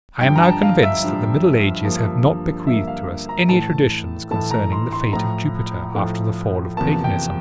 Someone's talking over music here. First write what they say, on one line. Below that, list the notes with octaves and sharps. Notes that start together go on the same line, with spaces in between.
I am now convinced that the middle ages have not bequeathed to us any traditions concerning the fate of Jupiter after the fall of Paganism.
G2 D3 F3 G5
A#5
A5
F5
E5
G2 D3 F3
G2 D3 F3 A#3
G2 D3 F3 A#3 E5
F5
A#5
A2 E3 A3 A5
A2 E3 A3 A5
A#5
C6
C6
A2 F3 A3 A#5
A2 F3 A3
E2 C3 F3 A#3 A5
G5